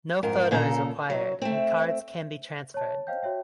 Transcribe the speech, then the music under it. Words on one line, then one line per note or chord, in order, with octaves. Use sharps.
No photo is required, and cards can be transferred.
F2 G#2 A#4
A#2 C#3 A4 A5 A#5
F#3
A3 C4
C#5 A5
C5 D#5 F5 G5 G6
F#4 C#5 E5 G5